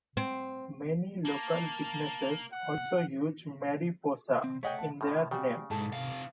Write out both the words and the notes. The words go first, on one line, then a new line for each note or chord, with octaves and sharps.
Many local businesses also use "Mariposa" in their names.
C4
A#3 A5
F#5
C4
A3 C#5 D#5 F#5 G5
A5
A2 F3
C#3 G3 F#4
G#2 A4
C3 F5